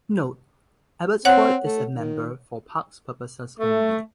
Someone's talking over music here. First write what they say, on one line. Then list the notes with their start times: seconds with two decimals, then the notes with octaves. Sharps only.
Note: Abbotsford is a member for parks purposes only.
1.25 C4 C#5 F#5 F#6
1.64 A3
1.95 D#3
3.59 A3